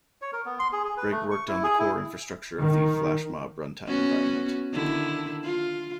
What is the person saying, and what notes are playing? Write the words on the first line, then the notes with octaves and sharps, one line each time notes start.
Greg worked on the core infrastructure of the FlashMob run time environment.
C#5
A#4
B3
C6
G#4
G#4
B4
A3
C#6
E4
G#4
E4
D#3
B3 C#4 F#4
D3 D#3 E4
F4